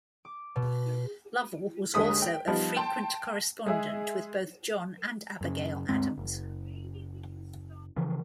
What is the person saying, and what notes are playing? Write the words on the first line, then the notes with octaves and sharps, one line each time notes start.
Lovell was also a frequent correspondent with both John and Abigail Adams.
D6
B2
D#2 D3 G#3 D#6 B6
G5
F3 G3 B3 D#4
G5 A5 C6
G#3 G#4 E5
F#2 C#3
D2 G2 G#3 C4
F#1
C#3 E3 F3